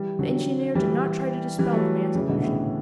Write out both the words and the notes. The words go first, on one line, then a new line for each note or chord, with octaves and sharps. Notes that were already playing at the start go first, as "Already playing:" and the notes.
The engineer did not try to dispel the man's illusion.
Already playing: E3 G3
D3 F#3
E3 G3
E3 G3
F#3 A3
C#3 E3
B2 D3
A2 C#3